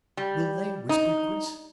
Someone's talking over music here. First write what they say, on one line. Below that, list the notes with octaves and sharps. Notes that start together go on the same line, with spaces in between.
"Will they?" whispered Chris.
G3
D#4